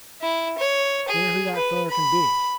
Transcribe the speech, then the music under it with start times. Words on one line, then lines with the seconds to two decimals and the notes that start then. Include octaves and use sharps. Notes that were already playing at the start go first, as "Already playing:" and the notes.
Wonder who that feller can be.
0.22 E4
0.58 C#5
1.08 G#4
1.56 B4
1.90 B5